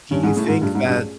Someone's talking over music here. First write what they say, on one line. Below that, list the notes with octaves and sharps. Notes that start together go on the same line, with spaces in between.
do you think that
G2 C#4
G#2
G#4
A2
G#2 F4
G2 A3
G#2
C#4
G2
G#4